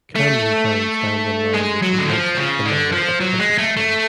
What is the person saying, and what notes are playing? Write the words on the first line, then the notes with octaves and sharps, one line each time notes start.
Camden Town stands on land which was once the manor of Kentish Town.
A3
G#3
F#3
D3
F3
C#3
D3
F3
F#3
G#3
A3
A3